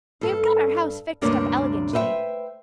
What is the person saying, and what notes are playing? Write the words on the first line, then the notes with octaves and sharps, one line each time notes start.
We have got our house fixed up elegantly.
G2 A4
D2 G2 C3 A#3 C#4 D4
B4 C5 E5 F#5 G5